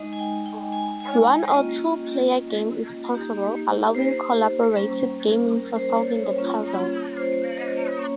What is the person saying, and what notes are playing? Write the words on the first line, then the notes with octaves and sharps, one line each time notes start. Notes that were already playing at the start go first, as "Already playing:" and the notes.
One or two-player game is possible, allowing collaborative gaming for solving the puzzles.
Already playing: G#3 D#4 D#5
G#5
G5
G5
G#5
G#5
G5
A#3 C#4 F4 D#5
A#3 D#4 G4
C5
G3 A#3 C#4
A#4
C5
C#5
C#5
G3 A#3 C#4 F4
C5
D#5
C#5
A#3 C#4 C#5